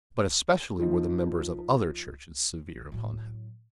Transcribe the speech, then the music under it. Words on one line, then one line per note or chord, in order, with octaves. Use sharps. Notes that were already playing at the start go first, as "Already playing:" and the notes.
But especially were the members of other churches severe upon him.
F3 D#4
A2 F#3